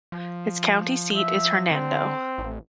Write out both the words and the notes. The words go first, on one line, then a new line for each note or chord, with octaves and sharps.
Its county seat is Hernando.
F3
E5
D3 C4
A1